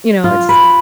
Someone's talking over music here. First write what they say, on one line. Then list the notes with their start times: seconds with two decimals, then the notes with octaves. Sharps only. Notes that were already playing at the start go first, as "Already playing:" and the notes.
You know, it's
0.24 F4
0.49 B4